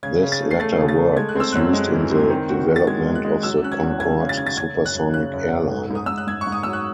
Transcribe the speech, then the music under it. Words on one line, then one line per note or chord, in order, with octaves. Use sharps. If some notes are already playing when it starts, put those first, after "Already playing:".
This latter work was used in the development of the Concorde supersonic airliner.
C#3 G#6
C#3
A6
A3
C7
A3 A6
C#3
A6
A3
G#3 G#6
F#6
C4 E6
F#2 F#6
G#3
E3
C4
D#3
F#4
F#4
A6
G#3 G#6
G#3
F#6
G#3
F#3 E6
C#4 F#6
G#6
E2
C#3 G#6
C#3
A6
C#4 G#6
A6
C#3 G#6
F#2
F#6
F#2
C#3 F#6
F#2
F#2
G#2
G#2 D#6
G#2 E6
F#6
G#2 G#6
C#6
G#2
D#6
F#3 E6
F#6